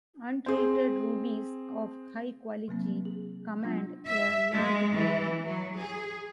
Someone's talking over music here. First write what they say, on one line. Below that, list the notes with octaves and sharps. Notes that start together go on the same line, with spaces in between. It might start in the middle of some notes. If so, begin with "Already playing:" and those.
Untreated rubies of high quality command a large premium.
C4 G#4
C3 F#3 A#3 C4
G#4
F#3 G#3 B3 D4 F4
E5
G#3
E3
F#3
G#4